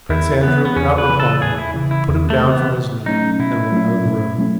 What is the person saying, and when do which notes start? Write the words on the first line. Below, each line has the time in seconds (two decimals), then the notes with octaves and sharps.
Prince Andrew, without replying, put him down from his knee and went out of the room.
0.09 E2 E4
0.43 C#3 E3 B3
0.65 B3
0.76 E2 C#4
0.98 B4
1.09 C#3 E3
1.20 A4
1.42 E2 G#4
1.58 E4
1.74 C#3 E3
1.91 E4
2.08 E2
2.30 A3
2.41 C#3 E3
2.52 B3
2.74 B2
3.06 F#3 A3 C#4 D#4
3.39 B2 E4
3.72 F#3 A3 C#4
4.06 B2
4.39 F#3 A3 C#4